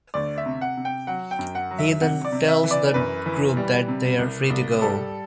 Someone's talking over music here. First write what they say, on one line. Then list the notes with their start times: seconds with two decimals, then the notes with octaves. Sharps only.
He then tells the group that they are free to go.
0.14 D2 D5
0.38 E5
0.46 C3
0.61 F#5
0.77 C3
0.85 G5
1.07 F#3 F#5
1.31 G5
1.39 F#2
1.55 F#5
1.71 F#3
1.78 E5
2.01 C3 F#5
2.25 D5
2.32 C3
2.48 E5
2.64 E3
2.71 D5
2.94 F#2 B4
3.26 E3
3.57 G3
3.88 C3
4.19 C2
4.50 C2
4.82 G3 A4